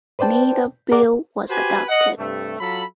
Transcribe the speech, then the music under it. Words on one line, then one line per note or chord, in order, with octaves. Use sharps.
Neither bill was adopted.
B4 C5 D5 G5 A5
G#4 A#4 D5 F#5 D6
F#4 G4 B4 C5 G#5
D#5 F#5
G2 C3 A3
F#3 F4 A4 B5